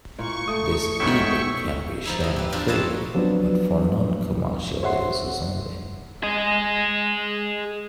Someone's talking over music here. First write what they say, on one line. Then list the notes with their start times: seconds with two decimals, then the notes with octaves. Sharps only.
This e-book can be shared freely but for non-commercial uses only.
0.18 A#2 E4 C#6
0.48 A3 D#6
1.00 D2 G#2 B2 C#5 E5 G5
2.05 F3 D#4 E4
2.20 C3 D#5
2.36 G4 B4
2.53 F3 C4 D4 G4 F5
2.68 B4 C#5 D#5 E5 A5 A#5
3.15 F3 F#3 B3 C4 D4 B4
4.82 C5 C#5 E5 F#5 C6
6.23 G#4 D#5